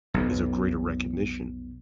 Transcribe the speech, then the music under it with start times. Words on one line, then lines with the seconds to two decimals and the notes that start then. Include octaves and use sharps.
is of greater recognition.
0.14 B1 F2 C3